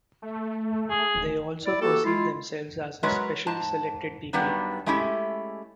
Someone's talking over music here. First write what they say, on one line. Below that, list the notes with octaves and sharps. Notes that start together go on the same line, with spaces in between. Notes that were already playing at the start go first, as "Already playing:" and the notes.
They also perceived themselves as a specially selected people.
A3
G#4
D1
E4 D5
A#3 F#4 G4 A4
G#3 E4 F4
F#3 G#3 A#4 B4 C#5
G#2 A5
G2 D#3 F#3 G3 B3 D4
G#3 A3 C#4 E4 G4